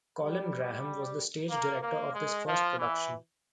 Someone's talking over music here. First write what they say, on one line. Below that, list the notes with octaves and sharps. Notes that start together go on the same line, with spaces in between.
Colin Graham was the stage director of this first production.
G3
A#3
A#3
G#3
F3
E3